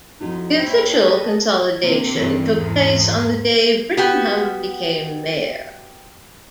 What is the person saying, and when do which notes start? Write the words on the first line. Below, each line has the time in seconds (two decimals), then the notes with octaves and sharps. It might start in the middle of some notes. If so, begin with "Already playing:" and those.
The official consolidation took place on the day Brittingham became mayor.
0.21 F2 D#4 E4 F#4
0.59 A#3 E4 C5 C#5 G5
0.93 A4 B4 D#5
1.83 C3 A#3
2.15 G2 C3 E3
2.57 E2 G#2
3.97 B3 F#4 G4